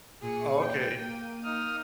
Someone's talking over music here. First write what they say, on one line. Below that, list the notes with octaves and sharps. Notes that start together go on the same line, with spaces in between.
Oh, okay.
A#2 G#4 C#7
G5
A#3 D#7
D#4 D#6 F6